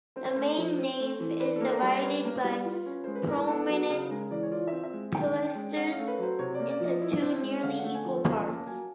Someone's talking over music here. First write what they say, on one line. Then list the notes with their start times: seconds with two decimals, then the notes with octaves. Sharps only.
The main nave is divided by prominent pilasters into two nearly equal parts.
0.16 C4 C5
0.26 C#5
0.36 A3 C5
0.57 F3
0.79 C4
0.99 A3
1.20 E3
1.40 D4 B4
1.56 A#3 A4
1.72 A#4
1.83 G3 C5
2.02 C#4 B4
2.24 A#3
2.44 G3
2.65 F4
2.86 C#4
3.04 G#3 C5
3.15 B4
3.27 E4 A#4
3.47 B3 A4
3.69 F#3 G#4
3.89 C#3 G#4
4.11 G#3 A#4
4.31 E3 D5
4.43 C#5
4.52 F4 D5
4.67 C4 E5
4.84 E5
4.93 G#3
5.14 D#3 G5
5.35 C#4
5.55 G#3
5.76 C#4 F#5
5.92 A3 F5
6.08 B4
6.19 F#3 C5
6.39 C3 C#5
6.54 D5
6.60 A#3
6.70 D5
6.80 F3 D#5
7.01 E4
7.21 C4
7.42 G#3
7.63 D3 F5
7.79 A3 F#5
7.95 G#5
8.05 F3
8.26 C#4 A#5
8.46 A#3 A5
8.67 F#3 G#5